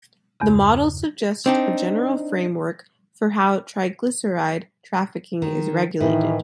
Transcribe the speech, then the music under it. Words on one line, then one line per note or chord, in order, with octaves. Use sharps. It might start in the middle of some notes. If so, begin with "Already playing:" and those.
The model suggests a general framework for how triglyceride trafficking is regulated.
E2 G2 C#3
C4 D4 D#4
D#3
A2 D#3 E3